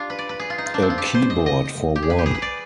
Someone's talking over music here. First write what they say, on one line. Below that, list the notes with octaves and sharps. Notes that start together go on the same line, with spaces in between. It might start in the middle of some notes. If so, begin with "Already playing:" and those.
A keyboard for one.
Already playing: D4 F4 G4
B4
D5
B4
G#4
F4
D#4
F4
D4
C4
F4
G4
B4
C5
D#5
D#5
G4
G#4
B4
G4
G#4
B4
D5